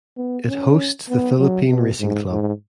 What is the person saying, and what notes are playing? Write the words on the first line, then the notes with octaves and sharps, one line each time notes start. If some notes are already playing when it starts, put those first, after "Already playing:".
It hosts the Philippine Racing Club.
B3
C#4
B3
F#3
B2
G#2
G#2